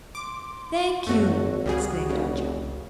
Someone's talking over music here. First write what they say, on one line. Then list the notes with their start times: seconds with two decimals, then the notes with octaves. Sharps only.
"Thank you," exclaimed Ojo.
0.15 C6 D6
1.07 G#1 F#2 A3 F#4 C#5
1.66 C#2 C#3 G3 F#4 G#4
2.09 F1 C#3